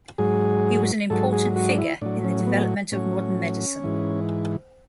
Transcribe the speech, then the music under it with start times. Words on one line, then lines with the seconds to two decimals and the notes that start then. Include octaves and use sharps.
He was an important figure in the development of modern medicine.
0.18 G#2 F#3 G#4
1.10 G#2 F#3 A4
1.33 G#4
1.56 F#4
1.69 D4
1.78 E4
2.01 A2 F#3 D4
2.24 C#4
2.47 B3
2.92 A2 F#3 C#4
3.84 G#2 E3